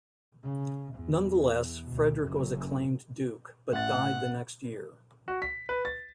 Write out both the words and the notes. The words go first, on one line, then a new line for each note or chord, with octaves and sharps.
Nonetheless, Frederick was acclaimed duke, but died the next year.
C#3
E2
D2 B2
F#1 F#2
A1 F#5 A6
F#4
B6
B4
A6